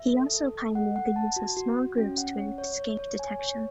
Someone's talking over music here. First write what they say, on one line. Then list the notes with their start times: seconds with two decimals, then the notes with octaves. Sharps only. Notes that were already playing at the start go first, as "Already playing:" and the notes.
He also pioneered the use of small groups to escape detection.
Already playing: E5
0.14 A4
0.34 A4
0.55 A4
0.75 F#5
0.96 F#5
1.16 A5
1.36 F#4
1.56 F#4
1.77 F#4
1.98 C#4
2.17 F#5
2.37 C#5
2.58 C#5
2.78 C#5
2.99 C#5
3.19 G#5
3.40 C#5